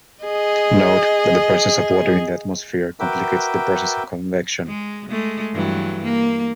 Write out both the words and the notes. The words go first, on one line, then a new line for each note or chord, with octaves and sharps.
Note that the presence of water in the atmosphere complicates the process of convection.
G#4 D#5
F#4 A#4 B4 E5 G5 D6
G#3
G#3 A3
G2 E3 F#3
A#3